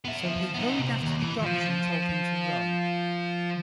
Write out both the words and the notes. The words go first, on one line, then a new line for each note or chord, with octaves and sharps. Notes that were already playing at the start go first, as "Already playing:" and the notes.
So he hurried after the Doctor and told him to run.
B3 E5
F3
B3 D#4
C3
D#2
E3
F3 F4